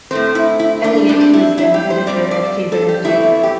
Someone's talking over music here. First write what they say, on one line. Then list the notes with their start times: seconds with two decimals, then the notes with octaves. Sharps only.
Eliot, who was then editor at Faber and Faber.
0.11 A2 A3 C4 C5
0.35 E4
0.60 E4
0.84 D4
1.09 G2 G3 C4 D4
1.33 E4
1.58 E4
1.74 G4
1.90 C5
2.07 G2 G3 C4 D5
2.31 D5
2.72 A4
2.89 G4
3.05 E2 E3 A3 C4 E4
3.43 G4